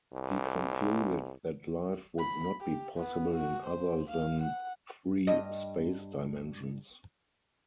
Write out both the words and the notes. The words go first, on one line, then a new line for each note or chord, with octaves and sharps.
He concluded that life would not be possible in other than three space dimensions.
C2
B5
G4
B3
F#4
C5
F5
F#5
G2 D#5